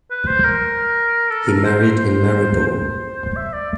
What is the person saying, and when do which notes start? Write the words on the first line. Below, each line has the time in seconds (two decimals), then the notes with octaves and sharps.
He married in Maribor.
0.11 B4
0.28 C5
0.45 A#4
1.30 A4
1.48 A#4
1.65 C5
1.81 C5
2.00 C5
2.67 C5
3.36 E5
3.53 D5